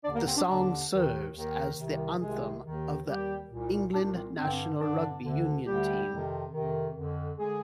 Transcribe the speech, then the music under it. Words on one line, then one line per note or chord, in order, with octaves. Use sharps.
The song serves as the anthem of the England national rugby union team.
D#2 D3 D4 D5
A#3 A#4
C4
D4
D#2 D3 D4
D#2 D#3
D#2 D#3
C2 C3 D#3
C2 C3 D#3 G#3 G#4
D#2 D#3
D#2 D#3 G3 G4
C2 A#2
C2 A#2 D4
C4
G2 D3 C4
G2 D3 D4
D2 D3
D2 D3 G3 G4
F2 C3 D#3
F2 C3 D#3
F2 D3
D3 G#3 G#4